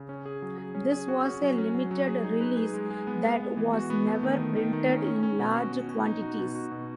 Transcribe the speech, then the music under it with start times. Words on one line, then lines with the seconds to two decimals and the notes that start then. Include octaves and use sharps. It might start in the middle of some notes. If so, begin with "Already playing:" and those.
This was a limited release that was never printed in large quantities.
Already playing: C#3
0.09 C#4
0.26 G#4
0.42 F#3
0.58 G#4
0.75 C#4
0.92 G#4
1.08 F#4
1.25 C#4
1.42 F#3
1.58 C#4
1.75 F#3
1.91 F#3
2.08 G#4
2.24 D#4
2.41 B4
2.57 G#4
2.73 G#3
2.90 G#3
3.07 B3
3.24 B3
3.40 B3
3.57 E3
3.73 F#4
3.90 B3
4.07 A3
4.23 D#3
4.40 D#3
4.56 D#3
4.73 D#3
4.89 C#4
5.05 C#4
5.23 C#4
5.39 B2
5.56 F#4
5.72 F#4
5.89 B2
6.05 D#4
6.22 F#4
6.38 B2
6.55 F#4
6.71 B2